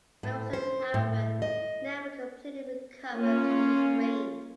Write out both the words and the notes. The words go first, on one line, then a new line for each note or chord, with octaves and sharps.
Wilson, however never completely recovered from the strain.
A2
C5
A2
D#5
A#3 C#4 F4